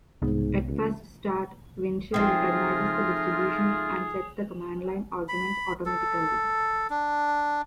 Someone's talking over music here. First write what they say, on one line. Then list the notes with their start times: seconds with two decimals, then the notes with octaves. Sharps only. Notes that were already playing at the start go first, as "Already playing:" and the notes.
At first start, WinShell recognizes the distribution and sets the command-line arguments automatically.
0.22 C2 G#2 B3
0.68 C#2
2.14 F3 A3 C4 D#4 F4 G#4
5.29 B5
5.86 A4
6.90 D4